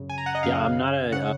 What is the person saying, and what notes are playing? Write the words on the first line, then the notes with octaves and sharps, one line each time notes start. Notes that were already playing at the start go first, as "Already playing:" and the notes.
Yeah, I'm not a
Already playing: F#2 C#3
G#5
A#5
F#5
D#5
F#2 C#3 F5
C#3 F#5